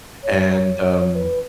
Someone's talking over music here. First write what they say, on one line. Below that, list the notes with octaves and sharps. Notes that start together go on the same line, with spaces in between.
and, um,
C#5
C#5
C#5
B4